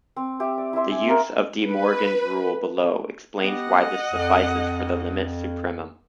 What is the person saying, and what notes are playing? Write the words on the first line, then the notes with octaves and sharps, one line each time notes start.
The use of DeMorgan's rule below explains why this suffices for the limit supremum.
C4
G4 E5 F5
D5
E4 D5 E5 C6
G#5
A#3 A#4
B4
B3 G4 D#5 F#5
F2